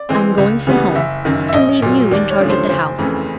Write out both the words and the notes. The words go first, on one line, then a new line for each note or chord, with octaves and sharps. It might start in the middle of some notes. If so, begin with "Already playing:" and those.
I am going from home, and leave you in charge of the house.
Already playing: D5
E3 G#3 C4
C#2
C#3 E3 G3 B3
F#1 E5
F#2 D#3
E5
A#1 D#5
A#2 F#3
D#2 D5
C#5
D3 F3 A3 C#4
C5
F#1 C5
F2 C#3 E3 A3